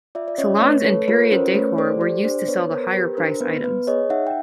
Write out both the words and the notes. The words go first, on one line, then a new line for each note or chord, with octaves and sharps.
Salons in period decor were used to sell the higher-price items.
F4 D5 E5
D5
C#4 C#5 D#5
A3 B4 C#5
A4 B4 C#5
F4 B4 C#5
C#4 A#4 C5
A3 B4 C#5
A4 C5 D5
G4 C5 D5
D4 C5 D5
B3 B4 C#5
B3 A#4 C5
A#4
G4 B4
D4 A#4 C5
B3 B4
B3 B4
G#4 C#5 D#5
D#4 E5 F#5
G5